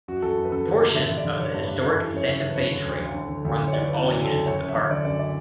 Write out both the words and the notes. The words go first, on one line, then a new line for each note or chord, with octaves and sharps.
Portions of the historic Santa Fe Trail run through all units of the park.
F#2 F#4
F#2 A4
F#2
B4
F#2 A4
D3 B4
D3
G2 E5
D3
D5
D3
D3 C#5
G2
B4
G2
F#2 A4
E3 A4
F#2 C#5
F#2 E5
C#3
B4
F#2 C#5
D3
D2
D2
D3
D3
D2
F#2
C#5
E3 D5
E3 B4
F#2 F#4
C#3
A4
F#2
F#2 C#5
F#2
E5
D3
D3 D5
F#2 D5
D5